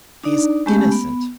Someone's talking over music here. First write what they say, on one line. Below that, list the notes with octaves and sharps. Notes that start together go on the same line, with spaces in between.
"He is innocent."
D4 D#4 D5
G#3 A3 B3 C#4 G4
B3